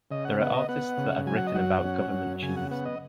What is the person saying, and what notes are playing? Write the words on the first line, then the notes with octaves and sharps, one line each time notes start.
There are artists that have written about government cheese.
C#3 D#5
F#5
B3 F#5
D#5
B3 F#5
C#3
F#3 G#5
F#5
D#5
F#2 F#5
C#4
F#2
C#3 G#5
F#5
B3 F#5
D#5